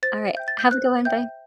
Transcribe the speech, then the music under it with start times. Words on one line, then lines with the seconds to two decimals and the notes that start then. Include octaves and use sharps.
Alright, have a good one, bye.
0.03 C5 A6
0.37 E5 G5 G6
0.48 A6
0.59 G6
0.71 C5 F#6
1.05 E5 G5 G6